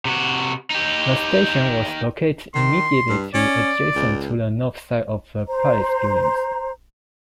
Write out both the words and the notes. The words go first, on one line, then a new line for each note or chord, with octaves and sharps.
The station was located immediately adjacent to the north side of the Palace buildings.
C3 F#4
D#4 G4
D#3 C6
G2
C#4 D5
C#2
C5 A#5